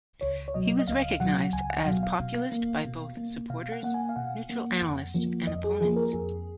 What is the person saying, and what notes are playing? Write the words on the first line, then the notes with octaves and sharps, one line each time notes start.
He was recognized as populist by both supporters, neutral analysts, and opponents.
C#2 C#5
C#5
B2 F#3 D#5
D#5
C#2 F5
B2 F#3 F#5
C#2 G#5
F#5
B2 F#3 F5
F5
B2
A#3
B2
A#3
B2 F5
F#5
A#3 F#5
G#5
F5
B2 F#5
A#3
F2
F3 A#3
F2 D#5
G#4
F3 A#3 G#4
A#4
F2 G#4